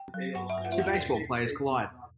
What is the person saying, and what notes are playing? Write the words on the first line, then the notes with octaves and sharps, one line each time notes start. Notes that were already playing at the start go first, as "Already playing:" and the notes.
Two baseball players collide.
Already playing: G5
F#3
G2 F#5
E5
G2
F#5
E5
E2 F#5
G5
B2